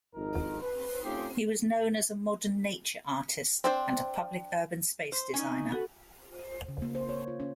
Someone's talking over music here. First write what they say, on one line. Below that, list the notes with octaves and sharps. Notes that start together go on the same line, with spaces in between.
He was known as a modern nature artist and a public urban space designer.
G#1 F2 D#4 A#4
B4
A3 C#4 F4 G4
C4 D4 C5
C5
E2 C#4 D#4 A#4 G#5
F#4 A4 B4 F#5
C#3
A#3
C5
C#5
F4
C#4